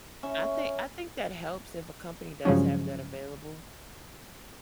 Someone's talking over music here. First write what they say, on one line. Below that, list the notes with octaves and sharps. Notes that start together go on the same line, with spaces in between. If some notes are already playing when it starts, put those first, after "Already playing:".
I think I think that helps if a company does have that available,
A3 C#4 E4 E5
G2 C#3 F3 F#3 G#3 C#4